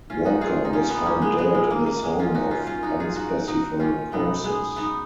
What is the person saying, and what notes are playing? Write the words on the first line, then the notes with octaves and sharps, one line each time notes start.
Walker was found dead in his home of unspecified causes.
C#4 F4
D#4 F#4
F4 G#4
D#4
C#4 F4
B3 D#4
A#3 C#4
G#3 B3
G#3 B3
A#2 F#3 G#3
A#3
A#3
G#3
C#4 F4
D#4 F#4
C#4 F4
C#4 F4
D#4 F#4
F4 G#4
D#4 F#4
D#4 F#4
C#4 F4
B2 F#3 B3 D#4
G#3 B3
B3 D#4